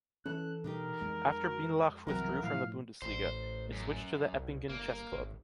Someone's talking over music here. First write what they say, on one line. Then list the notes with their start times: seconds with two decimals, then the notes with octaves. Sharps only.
After Bindlach withdrew from the Bundesliga, it switched to the Eppingen Chess Club.
0.26 E3 C#4 A4 F#6
0.64 B2 D4 D#4 G4 A#4
1.01 F2 G#3
1.44 F#4
2.07 F#1 C2 E3 F#3 C4 F#4 A#4
2.43 A2 F3 E4 F5
3.02 A1 C5
3.73 F#2
4.33 C2
4.70 G1 A#3
5.12 G#1